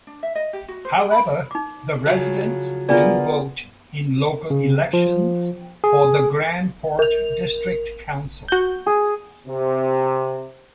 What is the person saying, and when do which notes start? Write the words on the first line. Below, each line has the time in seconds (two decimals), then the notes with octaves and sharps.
However, the residents do vote in local elections for the Grand Port District council.
0.07 D4
0.23 E5
0.35 D#5
0.53 G4
0.68 F#4
0.85 C5
0.97 G#4
1.11 B5
1.51 D#4 D6
2.06 C#3 F3 F#3
2.89 B3 D4 F4 G#4 A#4 D5
4.50 C#3
4.93 F3
5.84 G#4
6.99 A#4 F7
8.48 F#4 G6
8.86 G#4
9.47 C3